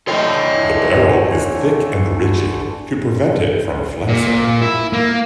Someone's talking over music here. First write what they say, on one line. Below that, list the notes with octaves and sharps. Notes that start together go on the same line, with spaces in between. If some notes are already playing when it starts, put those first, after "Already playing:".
The barrel is thick and rigid, to prevent it from flexing.
D3 E3 A3 F4 C#5 D#5 G5
A#2
E4
A#3